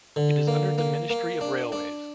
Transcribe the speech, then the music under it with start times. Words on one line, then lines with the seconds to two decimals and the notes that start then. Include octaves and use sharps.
It is under the Ministry of Railways.
0.16 D3
0.48 A#3
0.78 A#3
1.10 A#3
1.41 D4
1.72 D4